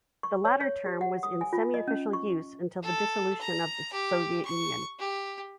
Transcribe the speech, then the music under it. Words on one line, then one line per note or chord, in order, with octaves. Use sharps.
The latter term was in semiofficial use until the dissolution of the Soviet Union.
C#6
C#5
C#5
G4
F#5
D#6
G#5
F4
D#5
C#4
C#6
A4
A#5
G4
C#6
G4